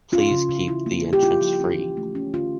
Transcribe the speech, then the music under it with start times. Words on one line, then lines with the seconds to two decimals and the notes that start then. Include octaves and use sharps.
Please keep the entrance free.
0.12 C#4 F4
0.31 C#3
0.49 C#3
0.68 E4
0.86 A#3
1.04 E4
1.13 G4
1.23 E4 F4
1.42 F3
1.60 C#4
1.78 E3
1.97 A3
2.15 C#4
2.34 D3 F4